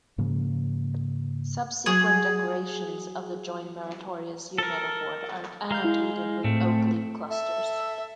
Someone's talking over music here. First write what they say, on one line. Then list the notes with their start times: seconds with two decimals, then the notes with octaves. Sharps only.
Subsequent decorations of the Joint Meritorious Unit Award are annotated with oak leaf clusters.
0.18 G#2 C#3 F3 A#3
1.86 F#3 G#4
4.58 A4 A#4
5.71 G#3 F5 A#5 G6
5.84 E4
6.44 A2 A3 C4
7.30 A4 E5